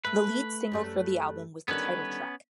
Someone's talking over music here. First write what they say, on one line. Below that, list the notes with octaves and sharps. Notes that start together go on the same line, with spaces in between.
The lead single for the album was the title track.
A3 B4 E5
F#2 G3 A3
D3 D#3 G3 B3 C#4 B4